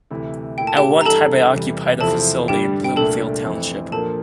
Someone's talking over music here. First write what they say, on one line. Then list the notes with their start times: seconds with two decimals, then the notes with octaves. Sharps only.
At one time it occupied a facility in Bloomfield Township.
0.10 D2 C3 E3 A3 E4
0.58 A#2 A3 E4 G5
0.67 A5
0.77 G4 G5
1.01 A#5
1.06 G2 E3 G3 A4 A5
1.54 E2 C3 E3 G3
2.01 E2 C3 F3 C4 E4 A4 A5
2.48 G2 D3 G3 G4 G5
2.84 G5
2.96 C2 A#2 A3 D4 A4 A5
3.44 F2 E3 A3 C4
3.92 A#2 F3 A#3 D4 A4 A5